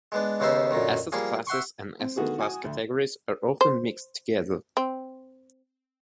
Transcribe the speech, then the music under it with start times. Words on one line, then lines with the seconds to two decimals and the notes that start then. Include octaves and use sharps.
Asset classes and asset class categories are often mixed together.
0.12 G#3 B3 D4
0.40 D#2 C#3 B3 D#4 C5 E5
0.71 F#2 A#2 D3 D#3
1.12 F3 G3 A#3 G#4
1.47 E5 F#5 C6 C#6
2.00 C4
2.17 D3 D#3 A3 B3 F#4 G#4
2.38 F#4 G#5 D#6
2.64 D2
3.61 C5
4.77 C4